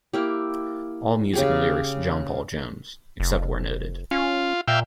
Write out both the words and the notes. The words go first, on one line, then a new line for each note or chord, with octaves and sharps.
All music and lyrics John Paul Jones, except where noted.
A#3 E4 G4
C#3 G4 G#4
F1
C#4 F4
A#2 E5 F5 G5